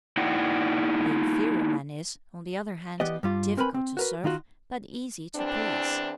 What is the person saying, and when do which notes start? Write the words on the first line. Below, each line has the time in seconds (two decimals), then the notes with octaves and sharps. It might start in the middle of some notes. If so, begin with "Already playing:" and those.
The inferior man is, on the other hand, difficult to serve, but easy to please.
0.17 A#3 D#4 E4 D5 F#5 G5
3.00 E3 B3 G4 D5 D#5
3.23 G2 G3 F4
3.57 C4 A#4 B4 G#5 B5
3.74 C4
3.97 F#4 A#4 B4
4.24 D#3 D#4 F4 F#4
5.35 E2 E3 C4 D4